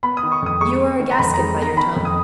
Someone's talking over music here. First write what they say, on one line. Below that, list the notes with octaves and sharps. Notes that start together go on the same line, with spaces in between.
"You are a Gascon, by your tongue?"
B3 B5
D#6
D#3
C#6
F2 D#6
G#3 C#6
B3
D#3
A#5
F2 B5
G#3 A#5
B3 A#5
D#3 B5
F2
D#6